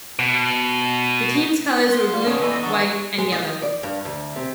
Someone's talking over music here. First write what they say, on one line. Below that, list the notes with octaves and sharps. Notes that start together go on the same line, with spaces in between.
The team's colors were blue, white and yellow.
B2
B3 F#5
A#4 C6
F4 D5
B2 D#3 C#4
E2 A2 E3 A4 D5 D#5 E6
D#3 E3 F#3 B3 D4 F#5 A#5 A6
G#3
D#5
D5
G2
D2
C3